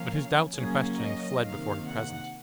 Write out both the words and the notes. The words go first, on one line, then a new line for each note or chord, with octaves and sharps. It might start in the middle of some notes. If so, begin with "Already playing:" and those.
But his doubts and questionings fled before her presence.
Already playing: F3 A#3 C#4 F5
C#3 F#3 A#3 C#4 G#4
D#5
C3 D#3 A#3 F5
F#5